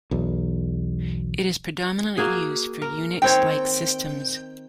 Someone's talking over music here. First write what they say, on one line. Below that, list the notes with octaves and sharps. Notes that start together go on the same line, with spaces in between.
It is predominantly used for Unix-like systems.
B1 E2
A#3 F#4 G#4
A#4
D#3 C4 C#5 G5